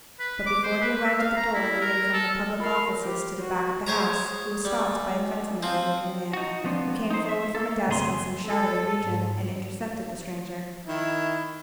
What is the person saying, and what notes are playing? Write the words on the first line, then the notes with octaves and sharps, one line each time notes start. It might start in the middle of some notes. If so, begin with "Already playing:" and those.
But before he arrived at the door leading from the public offices to the back of the house, he was stopped by a gentlemanly-looking man, who came forward from a desk in some shadowy region, and intercepted the stranger.
B4
D6
C5
B4
E5
F5
A#5
E4
A#4
A4
F4 A#4 F5 B5
G4
F#4
G#4 C5 C#5 A#5
G3
G#5
G#3
F3 C4 F5
D#4 F#4
F3 B3 C4 D4
D#4 C5
E5
A4
D2 G2 C3 G#4 B5 C6
A4
G#2
D#3 E4